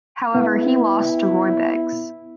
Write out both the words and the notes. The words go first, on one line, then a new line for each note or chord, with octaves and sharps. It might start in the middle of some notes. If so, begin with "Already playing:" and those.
However he lost to Roy Beggs.
B3 E4